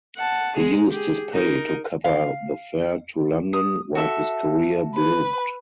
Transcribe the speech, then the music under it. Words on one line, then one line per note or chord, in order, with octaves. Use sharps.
He used his pay to cover the fare to London where his career bloomed.
F#5 A5
G#3 G#4
G4 G#4
D#4 A#4
F5
D#6
F#4 A4 E5
B4